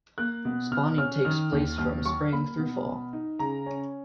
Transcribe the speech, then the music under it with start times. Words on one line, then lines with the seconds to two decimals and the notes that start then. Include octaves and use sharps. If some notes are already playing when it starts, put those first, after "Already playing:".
Spawning takes place from spring through fall.
0.18 A#3 F#6
0.45 B2
0.71 B2 F6
0.98 C#4 F6
1.25 D#3 F6
1.52 D#2
1.78 D#2 F6
2.05 F#3 C#6
2.32 A#3 B5
2.59 B2
2.85 B2
3.13 D#4
3.39 C#3 A#5
3.66 C#4